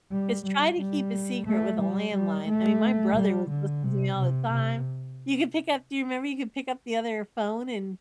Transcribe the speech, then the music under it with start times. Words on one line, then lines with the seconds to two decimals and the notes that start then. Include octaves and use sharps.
Just try to keep a secret with a landline, I mean, my brother was listening to me all the time. You could pick up do you remember you could pick up the other phone and
0.11 G3
0.45 G3
0.79 G3
1.46 A3
1.81 G3
2.14 G3
2.48 A3
3.16 G3
3.50 D3
3.83 C3
4.18 C3
4.51 C3